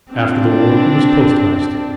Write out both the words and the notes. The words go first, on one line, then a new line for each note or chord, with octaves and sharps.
After the War he was postmaster.
C4 D4